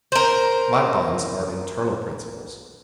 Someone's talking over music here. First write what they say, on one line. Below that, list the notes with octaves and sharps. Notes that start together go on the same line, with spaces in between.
My bonds are internal principles.
A#4 C5